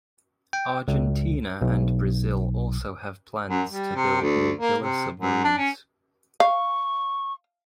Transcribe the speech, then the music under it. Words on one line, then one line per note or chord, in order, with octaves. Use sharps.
Argentina and Brazil also have plans to build nuclear submarines.
G5
C#2
B1
F#2
G3
C3
D2
A#3
C3
F#2
D4
C#4
F5 C#6